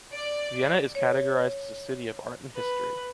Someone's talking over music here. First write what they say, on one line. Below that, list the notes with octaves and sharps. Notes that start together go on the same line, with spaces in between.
Vienna is categorized as a city of art and history.
D5
C#5
B4